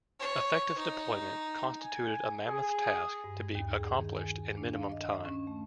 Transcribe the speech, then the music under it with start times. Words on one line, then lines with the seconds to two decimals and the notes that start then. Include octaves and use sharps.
Effective deployment constituted a mammoth task to be accomplished in minimum time.
0.20 C#5
0.78 D#4
1.82 G#5
2.48 G#4
3.24 G2
3.55 D#2
3.74 G#4
3.92 D#3
4.17 G#5
4.57 D4
4.73 F5
4.92 D#5
5.26 C#4
5.47 A3